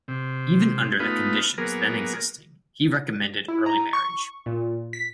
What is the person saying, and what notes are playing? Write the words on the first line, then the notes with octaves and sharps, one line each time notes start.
Even under the conditions then existing, he recommended early marriage.
C3
A3 B3 D#4 F4 B4
F#3 A#3 B3 G#4 A#4
E4
A#5
C#6
A#2
B6